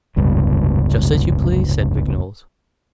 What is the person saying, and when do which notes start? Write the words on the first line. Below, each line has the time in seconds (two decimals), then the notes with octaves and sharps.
"Just as you please," said Vignolles.
0.16 F1 C#2 G2 B2